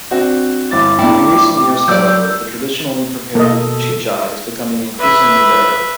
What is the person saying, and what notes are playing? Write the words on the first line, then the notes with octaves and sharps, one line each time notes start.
In recent years, however, the traditionally prepared chicha is becoming increasingly rare.
C4 D4 F#4
G1 E4 D6 A6
A2 B3 D4 E4 G5
F#3 D5 E6 G6
B2 A#3 A4 D#5
B4 E5